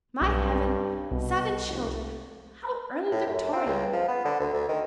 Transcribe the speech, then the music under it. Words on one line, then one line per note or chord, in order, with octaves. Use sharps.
"My heaven--seven children! How early Victorian!"
B1 G2
C2 B2
F1
A2
F#2
C4
C#2
F3
B3
D3
D2
D2
D#3